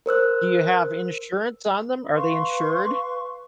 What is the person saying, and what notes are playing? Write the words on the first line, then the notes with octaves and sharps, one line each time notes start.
Do you have insurance on them? Are they insured?
A#4 C5 E6 F#6
B4 F5 C6 C#6